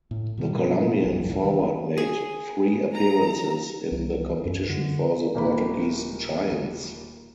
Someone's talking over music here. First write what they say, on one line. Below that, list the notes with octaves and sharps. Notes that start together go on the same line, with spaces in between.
The Colombian forward made three appearances in the competition for the Portuguese giants.
A2
B2 D#3 E3 G3
G2 B2
F1 A#1 G2
D#3 F3
G#4
A#5
C2
F#2
D3
D#1 D#3 A#3 B4 B5